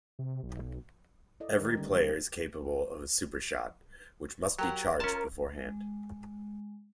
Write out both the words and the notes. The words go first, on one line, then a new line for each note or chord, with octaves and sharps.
Every player is capable of a "super shot", which must be charged beforehand.
C3
B1
E4 A4 D5 D#5
D#3 G4 A#4
D3 G3 A3 C#4
G3 C#4 G4
F#3 G4 A#4 F#5
C#4 F4 A#4 A5
G#3